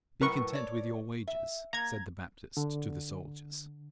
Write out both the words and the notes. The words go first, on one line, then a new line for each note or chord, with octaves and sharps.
'Be content with your wages,' said the Baptist to the soldiers.
A2 F#3 A#4 B4 C#6
C#5 D5
E5
A#3 A#5 G#6
D3